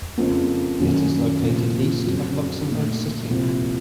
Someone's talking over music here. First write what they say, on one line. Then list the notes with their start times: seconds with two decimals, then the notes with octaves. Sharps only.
It is located east of Luxembourg City.
0.18 F2 C#3 F3 A#3
0.80 F#2 D#3 F#3 A#3 C#4
1.42 C2 A#2 F3
2.05 F#2 C#3 F#3 C4
2.67 A#2 A3 D#4
3.30 C2 A#2 F3 C4